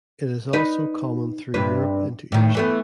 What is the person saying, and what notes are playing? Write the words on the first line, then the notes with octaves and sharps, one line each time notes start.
It is also common through Europe into Asia.
D#4 B4
G2 C3 B4
A2 D#3
E3 A3 B3